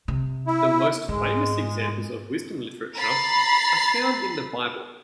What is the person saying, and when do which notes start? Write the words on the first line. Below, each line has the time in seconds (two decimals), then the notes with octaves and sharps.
The most famous examples of wisdom literature are found in the Bible.
0.08 C3
0.47 E4
1.09 G#2 G#3
2.96 A#5 B5 A6 C7